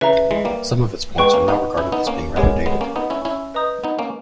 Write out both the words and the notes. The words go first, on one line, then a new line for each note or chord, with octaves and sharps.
Some of its points are now regarded as being rather dated.
C#3 E3 B4 E5 A#5
E3 G#3
G3 A#3
G#3 B3 B4 G5 C#6
A#3 C#4
B3 D#4
C#4 E4
B3 D#4
A#3 C#4
G#3 B3 G4 A#4 C#5 G#5
G#3 B3
A#3 C#4
B3 D#4
C#4 E4
C#4 E4
B4 D#5 A#5 D#6 G6
B3 D#4
A#3 C#4